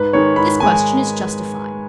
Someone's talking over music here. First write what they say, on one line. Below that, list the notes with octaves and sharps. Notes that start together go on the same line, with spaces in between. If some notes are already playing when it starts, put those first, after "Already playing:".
This question is justified.
Already playing: G#2 B4
D#3 G#3 C#5
G#2 B5
D#3 G#3 G#5